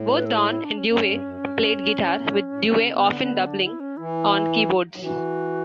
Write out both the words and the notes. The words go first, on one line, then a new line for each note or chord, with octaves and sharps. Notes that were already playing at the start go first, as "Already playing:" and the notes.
Both Don and Dewey played guitar, with Dewey often doubling on keyboards.
Already playing: A2
B4
A4
E4
E4
D4
C#4
G2 C#4
G2
F#2
G2
G2
F#2
G2
A2
A2
A2
B2
B2
C#3
D3 B3
B3
D4
E4
C#4
E3 E4
F#3
E3 F#4